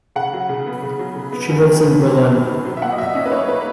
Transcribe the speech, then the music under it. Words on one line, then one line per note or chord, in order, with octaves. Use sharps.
She lives in Berlin.
C#3 F#5
F#3
C#3
B3
C#3
F#3
C#3
B3
F#2
D#3
B3
F#3
F#2
D#3
B3
F#3
E5
A#2 F#5
D#5
F#3 E5
C#4 D#5
B4
A#3 C#5
A#2 B4